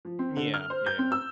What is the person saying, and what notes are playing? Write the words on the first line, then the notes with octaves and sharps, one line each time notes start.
Mm, yeah, yeah.
F3
C4
D3
F6
C5
G6
C4
E6